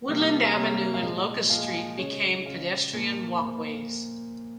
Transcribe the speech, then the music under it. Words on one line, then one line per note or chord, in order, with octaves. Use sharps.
Woodland Avenue and Locust Street became pedestrian walkways.
C3 G3 A#3
G4
A#4
C3 G3 A#3 C#5
F5
A#2 F3 G#3 D#5
A#2 F3 G#3 F5
G#5
G#5
C#3 G#3 C#5
C#3 G#3 F5
A#2 F3 A#3
A#2 F3 A#3 C5